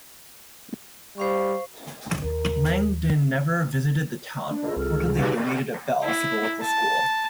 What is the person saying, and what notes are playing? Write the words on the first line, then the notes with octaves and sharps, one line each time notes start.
Langdon never visited the town, but reportedly donated a bell for the local school.
G3 C5 F5 C#6
D#2 A#4
D4
F4 G#4 D#5 E6
C2 A4 F6
C#2
C3 G3 G#4
D#4 F#4 G4 B4 F5
E4
A5